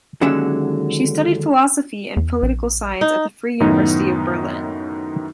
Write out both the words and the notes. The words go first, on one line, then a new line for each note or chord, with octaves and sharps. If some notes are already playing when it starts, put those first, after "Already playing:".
She studied philosophy and political science at the Free University of Berlin.
D#2 D3 F#3 G#3 C#4 E5
E2
A#1
D#4
F#2 A2 D#3 B3 D#4